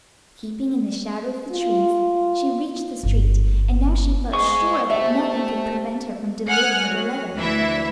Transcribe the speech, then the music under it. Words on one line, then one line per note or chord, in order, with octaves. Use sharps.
Keeping in the shadow of the trees she reached the street, and now she felt sure that nothing could prevent her from delivering the letter.
F4
G1
G#2 G#4 D#5 C#6
C3 A3 E5
F#5 G#5 D#6 F6 F#6
F#3
D2 E3 E4 E5